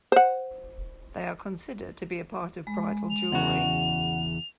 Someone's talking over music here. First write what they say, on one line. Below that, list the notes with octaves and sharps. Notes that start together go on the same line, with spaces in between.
They are considered to be a part of bridal jewellery.
C5 F#5
G#3
F7
E2 C#3 F#4 F#5